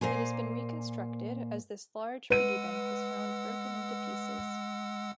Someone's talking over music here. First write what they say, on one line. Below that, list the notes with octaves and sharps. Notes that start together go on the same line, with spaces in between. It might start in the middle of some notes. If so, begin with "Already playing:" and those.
It has been reconstructed, as this large piggy bank was found broken into pieces.
A#2 A#3 C5 G#5
G#3 B4 F#5 E6 D#7